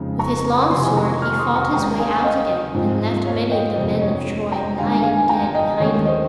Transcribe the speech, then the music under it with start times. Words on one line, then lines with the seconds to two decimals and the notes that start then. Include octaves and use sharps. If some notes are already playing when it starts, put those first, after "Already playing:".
With his long sword he fought his way out again, and left many of the men of Troy lying dead behind him.
Already playing: F2 C#3 G#3 D#4
0.19 A#5 C#6
0.70 F2 C3 D#3 G#5 C6
0.97 A#5 C#6
1.22 C#6 F6
1.38 C6 D#6
1.55 A#5 C#6
1.72 D#2 D#3 G#3 C#4 G5 A#5
1.99 F5 G#5
2.24 D#5 G5
2.74 G#2 F3 C4 D#4
3.25 C#5 F5
3.51 D#5 G5
3.76 G1 F2 C3 C5 D#5
4.02 C#5
4.52 G5 A#5
4.77 G1 G2 D#3 G#3 F5 G#5
5.03 F5 G#5
5.29 G5 A#5
5.54 D#5 G5
5.80 D#2 D#3 G#3 C#4 C#5
6.05 C5 D#5